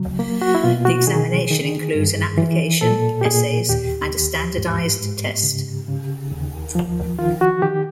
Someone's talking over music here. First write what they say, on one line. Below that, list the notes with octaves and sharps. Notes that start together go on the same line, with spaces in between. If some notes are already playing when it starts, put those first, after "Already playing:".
The examination includes an application, essays, and a standardized test.
Already playing: C#3 F#3
A#3
F#4
E4
B2 F4
F#4
D#3 G#4
D#3
G2
E3
A#2 A4
G4
A#2 G#4
D#2 G4
D#2
G#2
G#2
C#3
C#3
D#2
F3
D#3 F4
F#4
D#3 G4